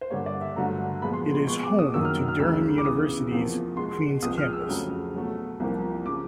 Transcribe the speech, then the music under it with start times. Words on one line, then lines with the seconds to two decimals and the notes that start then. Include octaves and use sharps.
It is home to Durham University's Queen's Campus.
0.01 C5
0.10 G2 D3 G3 A#3 C#5
0.26 D5
0.41 E5
0.56 G2 D3 F#3 A3 A#5
1.02 A#2 F3 G#3 B3 B5
1.13 C6
1.37 C6
1.48 B2 G#3 B3 C#6
1.63 D6
1.79 D#6
1.94 F#2 D#3 F#3 A#3 E6
2.05 F6
2.17 E6
2.28 F6
2.39 D2 C#3 E3 E6
2.78 D6
2.85 E2 C#3 E3 D#6
3.31 E2 C3 F3 A#3
3.77 B2 G#3 B3 C6
4.22 C#2 C3 F3 G#3 D#6
4.38 F6
4.53 E6
4.69 F2 C#3 F#3 A3
5.14 B2 F#3 A3
5.60 C2 C3 F3 A#3
6.05 C#3 F3 D6